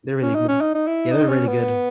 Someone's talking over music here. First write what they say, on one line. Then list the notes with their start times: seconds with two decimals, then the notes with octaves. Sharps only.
they're really good. Yeah, they're really good.
0.22 C#4
0.35 D#4
0.48 C#4
0.61 D#4
0.75 D#4
0.87 E4
1.12 D#4
1.29 C#4
1.47 B3